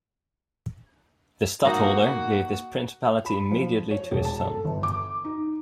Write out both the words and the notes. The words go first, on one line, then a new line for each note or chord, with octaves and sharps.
The stadtholder gave this principality immediately to his son.
A#3 D#4 F#4
B5
F3
C#5
E1
A5
A4
G1
D6
D#4